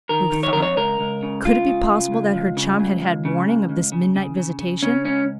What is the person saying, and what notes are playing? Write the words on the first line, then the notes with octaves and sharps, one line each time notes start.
Ruth thought. Could it be possible that her chum had had warning of this midnight visitation?
D#3 A#4
D#3
C#5
F2 A#4
C#5
C#2 A#4
C#2
C#3
C#2 F4
C#3
C#3
C#2
C#2
C#3
C#2
C#2
C#3
C#2
C#2
C#3
C#3
C#3
C#3
C#3 C#4
C#2 C#4